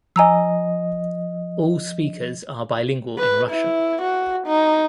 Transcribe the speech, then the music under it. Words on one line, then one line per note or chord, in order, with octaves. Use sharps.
All speakers are bilingual in Russian.
F3 D#5 G#5 A#5 E6
B4
E4
F#4
D#4